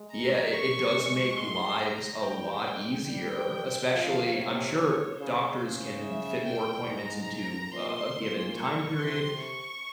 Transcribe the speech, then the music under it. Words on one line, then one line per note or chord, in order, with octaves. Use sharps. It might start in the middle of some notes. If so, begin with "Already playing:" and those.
yeah, it it does make lives a lot easier, especially I'm sure doctors can fit more appointments into, uh, a given time period,
Already playing: G#3
A#5
C#6
G#3
C6
A#5
G3 G5
G#3
G3 G5
F3 F5
C3 C#5
C#3 C5
C#3
E5
G5
G#2 A#5
A#2 C6
A#2
C#6
C3 C6
C#6